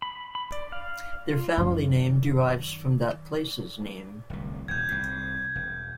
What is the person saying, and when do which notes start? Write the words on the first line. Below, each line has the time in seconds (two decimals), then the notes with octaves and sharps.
Their family name derives from that place's name.
0.02 B5
0.35 B5
0.52 D5
0.72 F5
1.33 F4
1.57 F#2 D#3
4.30 D1 C2
4.68 D#1 D#2 G6 G#6
4.88 C2 G#2
5.55 E1